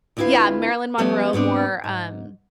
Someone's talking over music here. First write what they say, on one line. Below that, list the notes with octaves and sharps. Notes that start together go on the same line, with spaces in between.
yeah, Marilyn Monroe more, um,
D2 C4 E4 F4 B4 F5
F3 G3 A3 B3 C#4 D5
G#2 B3 C4 D4
G#2